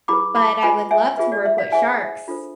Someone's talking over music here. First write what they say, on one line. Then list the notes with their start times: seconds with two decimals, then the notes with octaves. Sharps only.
But I would love to work with sharks
0.08 E4 G#4 B4 B5 D6
0.36 B5 D6
0.63 F4 B4 G#5 B5
0.91 E5 G#5
1.17 F4 G#4 B4 E5
1.32 D5
1.45 E5
1.58 D5 F5
1.72 E4 G#4 C5 E5 G#5
2.28 D4 F4 A4 C5